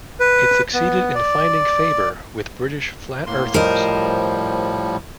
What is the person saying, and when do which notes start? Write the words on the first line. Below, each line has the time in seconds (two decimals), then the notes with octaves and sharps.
It succeeded in finding favour with British "flat-earthers".
0.20 B4
0.74 B3
1.15 D5
3.27 A2 A#3 C6
3.54 A2 F3 G3 A#4 C5 D#5